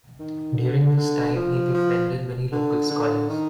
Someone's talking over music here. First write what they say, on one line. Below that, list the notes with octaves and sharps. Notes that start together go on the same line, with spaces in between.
During this time he befriended many local scholars.
D#3
D3
D3
F3
F3
D3
D3
D#3